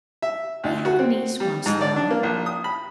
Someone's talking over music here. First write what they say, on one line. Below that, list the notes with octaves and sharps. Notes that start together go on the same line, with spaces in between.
They had a niece once, though.
E5
D2
F#4
C4
G3
G#2
D5
D4
A#3
A#1
D#6
B5